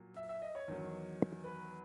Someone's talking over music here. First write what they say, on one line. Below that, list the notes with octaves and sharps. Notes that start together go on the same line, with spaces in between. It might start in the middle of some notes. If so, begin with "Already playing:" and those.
The "Edmonton Journal" noted Porritt had represented the Mackenzie District in the legislature.
Already playing: A#2 F#3
E5
E5
D#5
C#5
E2 D#3 F#3
B4